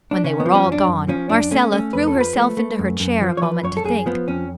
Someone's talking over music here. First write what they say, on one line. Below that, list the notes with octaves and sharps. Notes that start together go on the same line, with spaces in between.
When they were all gone Marcella threw herself into her chair a moment to think.
D4
C#3 C#4
B3
F3
C#4
F#2
D4
F#2
F3 C#4
F#2 D4
A3 C#4
A3 C#4
F2 B4
A4
F3
B4
A3
A3
F#2
F#2
F3
C#5
F3 B4
F#2 C#5
A4
F#2 G#4
F3 B3
F2 C#4